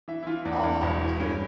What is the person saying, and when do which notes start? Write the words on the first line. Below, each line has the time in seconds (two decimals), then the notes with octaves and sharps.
Oh, how cute.
0.08 E3 E5
0.23 E4
0.27 E3 F4
0.45 E2 D4
0.63 E2
0.82 E1
1.01 E3
1.20 G2 C#4